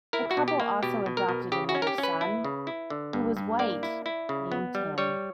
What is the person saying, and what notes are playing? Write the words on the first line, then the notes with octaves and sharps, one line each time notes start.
The couple also adopted another son, who was white, named Tim.
E4 A#4
F#4
B2
G4
A#3
B2 G4
B2
A#4
B2
C#3 G4
F#4
C#4
A#4
G4
C#4
B4
E4
C#3
E4
D3
G2
G2
A#3 D5
E4
E4
C#3
B3
G3
G3 C#5